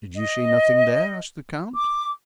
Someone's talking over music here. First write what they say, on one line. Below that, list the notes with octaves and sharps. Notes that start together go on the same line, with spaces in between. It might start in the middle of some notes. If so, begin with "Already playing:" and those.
"Did you see nothing there?" asked the count.
D#5
D6